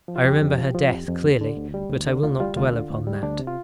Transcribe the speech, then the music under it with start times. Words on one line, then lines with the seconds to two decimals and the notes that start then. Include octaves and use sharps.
I remember her death clearly, but I will not dwell upon that.
0.08 F3
0.16 F4
0.25 F2 G4
0.41 F2
0.58 F3
0.74 F3
0.91 F2
1.08 F2
1.24 D2
1.41 D3
1.57 D2
1.74 G3
1.90 D2
2.07 D3
2.23 D2 F4
2.40 G3 F4
2.56 D2 F4
2.73 D3
2.90 D2
3.07 G3
3.23 D2 D4
3.39 C3
3.47 F4